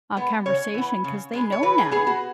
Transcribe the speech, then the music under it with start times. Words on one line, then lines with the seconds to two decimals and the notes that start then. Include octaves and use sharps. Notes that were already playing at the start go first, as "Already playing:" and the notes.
uh, conversation 'cause they know now.
0.17 G#3 B3
0.45 C#3 C#5
0.74 E3 B3
1.04 C#3
1.33 G#3 B3
1.52 C#5
1.63 E3 B4
1.78 G#4
1.91 B3 G#4
2.07 F#4